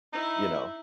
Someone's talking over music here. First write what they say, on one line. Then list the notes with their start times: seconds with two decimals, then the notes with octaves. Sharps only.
You know?
0.13 D#4 E4